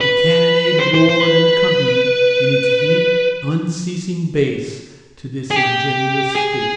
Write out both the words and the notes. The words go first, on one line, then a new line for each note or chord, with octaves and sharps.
The cannonade roared an accompaniment in its deep, unceasing bass to this ingenuous statement.
B4
C5
C5
C5
B4
G#4
G4
G#4